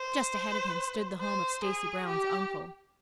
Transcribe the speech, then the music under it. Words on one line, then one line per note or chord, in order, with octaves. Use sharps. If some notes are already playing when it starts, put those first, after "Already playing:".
Just ahead of him stood the home of Stacy Brown's uncle.
Already playing: C5
C5
G#4
G4